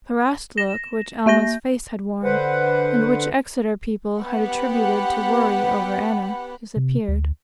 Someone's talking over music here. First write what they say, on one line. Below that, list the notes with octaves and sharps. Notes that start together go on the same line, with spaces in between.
The harassed look which Alma's face had worn, and which Exeter people had attributed to worry over Anna, disappeared.
A#6 E7
A#3 E5 G6 A#6
D3 B4 C5 F#5
B3 G4 F#5 B5
C3
D2